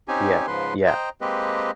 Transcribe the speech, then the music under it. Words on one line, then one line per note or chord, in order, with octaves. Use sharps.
Yeah. Yeah.
C4 C#4 D#4 G4 G#5
G#2 C#3 F3 B4 C6
C5 D#5 G5 A#5
G#3 A#3 C4 G4 B4 D#5